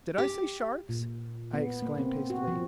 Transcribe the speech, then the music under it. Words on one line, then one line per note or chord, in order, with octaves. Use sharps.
"Did I say sharks?" I exclaimed hastily.
G4
A#2
B3
A#3
C4
F#4
F3